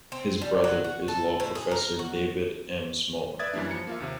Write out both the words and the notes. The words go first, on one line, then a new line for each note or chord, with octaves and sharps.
His brother is law professor David M. Smolin.
C4
G3
F#3
F#4
A4
A2
G#4
A#4
F#4
B4 D5 E5 D#6 G#6 A6
F#2 E3 G3 A#3 D4
F3 C#7
A#3 F4 E5
D#2 C3